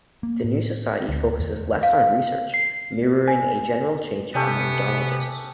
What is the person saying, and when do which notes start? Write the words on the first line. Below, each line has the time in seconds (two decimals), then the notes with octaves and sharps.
The new society focuses less on research, mirroring a general change among donaldists.
0.23 A#3
0.44 A2
1.09 D2
1.39 E2
1.83 F5
2.54 C7
3.28 G#5
4.35 C3 B3 C#4 G4 A4